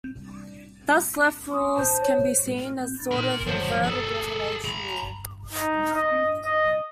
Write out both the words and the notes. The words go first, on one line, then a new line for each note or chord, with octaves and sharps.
Thus, left rules can be seen as a sort of inverted elimination rule.
C6 D#6
C5 A5 G6
C#5
A#4 C6
F#3 C5
G#4 A4
A#5 B5
D#4
D#5
D#5